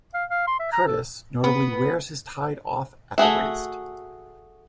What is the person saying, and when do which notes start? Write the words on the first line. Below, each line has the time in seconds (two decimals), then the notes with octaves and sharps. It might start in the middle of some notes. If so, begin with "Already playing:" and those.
Curtis notably wears his tied off at the waist.
0.14 F5
0.31 F5
0.47 C6
0.60 E5
0.73 A#5
0.87 A4
1.44 B3
3.18 A3 F#4 G#4 E5